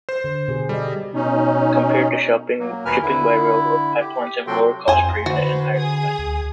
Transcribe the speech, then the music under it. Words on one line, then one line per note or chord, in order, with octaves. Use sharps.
Compared to shipping by railroad, pipelines have lower cost per unit and higher capacity.
C5
D3
B2 G4 G#4
G3 A4 D5 D#5
B2 C#4 D#4
F#3 A#3
D#2 B2 A#4 B4 G#5 F6
D3 E4
G4
C3 F#3 F#4 A4 G5 C6
F2 C5 G#5
D3 F#4 B4 C5
G#4 G#5 D#6
D2